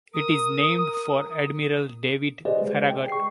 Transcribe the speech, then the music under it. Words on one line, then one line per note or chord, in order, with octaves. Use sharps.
It is named for Admiral David Farragut.
A#4 D#6
G4 G#4 B4 C5 D5 D#5
G#3
G#4 G5
C#6 C7